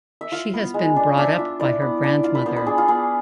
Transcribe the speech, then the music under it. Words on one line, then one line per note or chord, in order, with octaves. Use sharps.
She has been brought up by her grandmother.
E5
F4 F5
B3
G#3
D4
D4 E5
F4
E4 D5
B3
D4
F4
B4
B3 C5
B4
D4 G#4
F4
B3 G#4